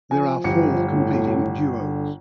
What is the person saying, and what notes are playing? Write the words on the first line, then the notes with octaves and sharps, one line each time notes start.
There are four competing duos.
F3 G#5
G1 C#7
A2
D3